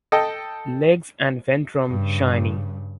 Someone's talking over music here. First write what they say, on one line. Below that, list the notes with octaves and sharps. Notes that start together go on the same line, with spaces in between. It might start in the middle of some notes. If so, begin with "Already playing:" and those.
Legs and ventrum shiny.
A4 D#5 G5
G2 C#3